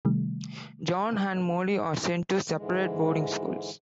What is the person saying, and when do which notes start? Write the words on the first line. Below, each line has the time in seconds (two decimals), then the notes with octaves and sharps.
John and Molly are sent to separate boarding schools.
0.05 C3 D#3 G3 A3
2.57 G#2 D3 E3 G#3